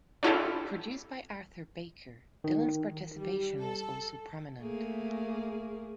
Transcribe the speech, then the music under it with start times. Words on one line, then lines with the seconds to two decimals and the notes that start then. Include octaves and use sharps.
Produced by Arthur Baker, Dylan's participation was also prominent.
0.23 C#4 D4 E4 F4 G4 A4
2.44 D#3
3.17 G3
3.61 A4
4.60 A3 A#3 G#4